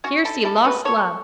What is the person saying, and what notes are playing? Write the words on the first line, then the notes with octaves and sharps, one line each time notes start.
Here see lost love.
C#4 F#4
E4 A4
E4 A4
F#4 B4
A4 C#5